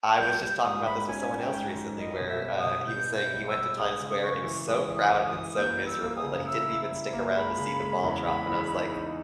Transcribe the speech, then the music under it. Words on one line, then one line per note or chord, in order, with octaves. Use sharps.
I was just talking about this with someone else recently, where, uh, he was saying he went to Times Square and it was so crowded and so miserable that he didn't even stick around to see the ball drop, and I was, like,
G3 G6
G3 G6
C#6
G#2 D#6
G#2 B5
C#4 G#5
C#4
G5
G#2
G#2
G3 D#5
B2
E5
G3
D#6
B2
B2 G6
E4
G6
G3
E6
G3
G#3 D#6
C#3
C#3 C#6
E3
G#3 D#6
E3
D#6
E3
D#6
E3
A#3 G6
G3
E6
A#3
D#6
C#3
E4 E6
E4
G3
A#3
G#3 B5
C#3
G#3
E2
G#3 B5
E2
D#4
D#4